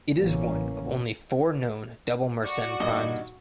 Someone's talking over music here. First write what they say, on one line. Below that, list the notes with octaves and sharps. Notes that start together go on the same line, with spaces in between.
It is one of only four known double Mersenne primes.
A1 C#3 E3 A#3 C#4
F#4 D5 C#6
G2 A#2 D#3 D#5